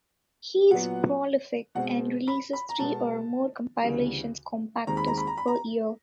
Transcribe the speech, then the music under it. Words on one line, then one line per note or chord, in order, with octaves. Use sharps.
He is prolific, and releases three or more compilation compact discs per year.
A#2 F#3 B3 F#5
B2 G#3 C4 F#5
B5
B5
A#5
B2 G#3 B3 A5
D2 C#3 E3 G3
D#2 D#3 G#3 C4 A#5
B5
A#5
B5
A#5
B5
A#5